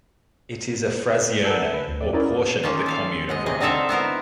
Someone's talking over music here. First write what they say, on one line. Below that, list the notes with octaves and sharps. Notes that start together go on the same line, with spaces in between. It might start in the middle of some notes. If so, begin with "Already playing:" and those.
It is a frazione, or portion of the commune of Rome.
A4 A#4 F#5 G#5 A5 E6
E5 E7
B4
D2
F2 D5
C#4 D#4 E4 F#4 A#4 D5
D#3 A#3 C#4 D#4 F4
A4 F5 G#5
B2 G#3 D#5
C3 G#4 D#5 G#5
D3 C4 D#4 A4 E5 F5
B3 E4 A#4 C5